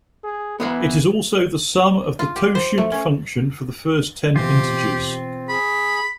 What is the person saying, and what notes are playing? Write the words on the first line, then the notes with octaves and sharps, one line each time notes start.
It is also the sum of the totient function for the first ten integers.
G#4
E3 B3 B4 F5
F4
G4
C5
A3
C#4
B2 E3 C4 F4 G4
G#4 B5